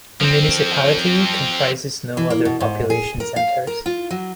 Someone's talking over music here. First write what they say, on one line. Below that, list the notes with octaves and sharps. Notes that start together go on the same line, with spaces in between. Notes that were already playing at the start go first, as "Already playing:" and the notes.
The municipality comprises no other population centres.
F3 C4
E3
A#3
B2
G#2
G#4
A#4
F5
A#4
F4
F#3